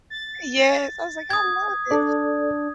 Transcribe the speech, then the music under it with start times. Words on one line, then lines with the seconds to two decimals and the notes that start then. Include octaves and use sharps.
yes, I was like, "I love it."
0.10 A6
1.30 D#6 G#6
1.91 D4 A4 D5